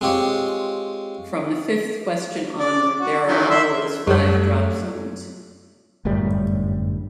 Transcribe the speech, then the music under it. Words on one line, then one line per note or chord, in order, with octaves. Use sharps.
From the fifth question onward, there are always five drop zones.
G#3 C4 F4 G4 C#5
D5
F#4
D#3 E3 F#3
E5 C6
F#2 F#3 G3 A3 G4 C#5
G1 F#2 A2 G3